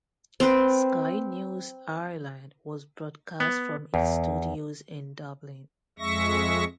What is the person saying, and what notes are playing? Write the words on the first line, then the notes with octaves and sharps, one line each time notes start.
Sky News Ireland was broadcast from its studios in Dublin.
C4 B4
B3
E2
F2 G#3 E5 C#6 A#6